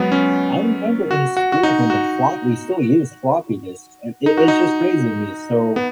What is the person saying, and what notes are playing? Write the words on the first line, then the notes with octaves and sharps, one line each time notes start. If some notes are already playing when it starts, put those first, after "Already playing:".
I remember in school when the flop we still used floppy disks. It it's just crazy to me. So
Already playing: F#3 G#3 B3
C#4
F#4
F#4
F#4
D#4
F#4
D#4
F#4
D#4
B3